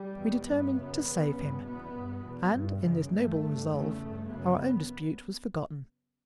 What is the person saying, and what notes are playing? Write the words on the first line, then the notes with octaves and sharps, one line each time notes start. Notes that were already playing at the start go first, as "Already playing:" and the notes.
We determined to save him, and, in this noble resolve, our own dispute was forgotten.
Already playing: G3
E2 B2
G2 B3
F#2 C#3
E2 C#3
G2
E2 B2 B3
G2
E2 B2
G2
F#2 C#3
G2 A3
G2
E2 C#3 A3
G2
F#2 C#3 B3